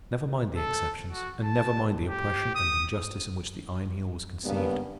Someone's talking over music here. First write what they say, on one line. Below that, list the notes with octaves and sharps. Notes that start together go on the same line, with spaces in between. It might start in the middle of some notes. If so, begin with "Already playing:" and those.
Never mind the exceptions, and never mind the oppression and injustice in which the Iron Heel was conceived.
A4
F#4
A5
G4
D#6
G2 C#3 A#3 B3